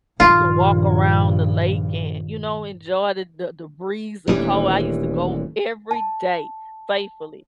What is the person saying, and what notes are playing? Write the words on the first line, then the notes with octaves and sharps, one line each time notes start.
you can walk around the lake and, you know, enjoy the the the breeze, the cold, I used to go every day faithfully,
A#1 G2 D#3 F4
D#1 D2 E3 G3
A5